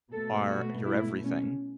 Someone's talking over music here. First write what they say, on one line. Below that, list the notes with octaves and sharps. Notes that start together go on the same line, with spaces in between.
are your everything.
B2 A3 A4
F#4
E4
C#4